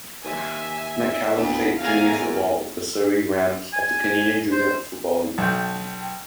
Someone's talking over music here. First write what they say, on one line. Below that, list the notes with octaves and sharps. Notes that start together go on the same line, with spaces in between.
McCallum played junior football with the Surrey Rams of the Canadian Junior Football League.
D#2 E5 G#5
D2 B3
E2 F5 G#5 A#5
A#4
G#5
C5
B1 G5 A5